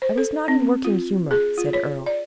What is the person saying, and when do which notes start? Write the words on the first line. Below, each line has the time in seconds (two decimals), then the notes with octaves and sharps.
"I was not in working humor," said Earle.
0.02 C5
0.18 A4
0.48 C4
0.85 F4
1.31 G#4
1.58 F4
1.73 C#5
2.06 D5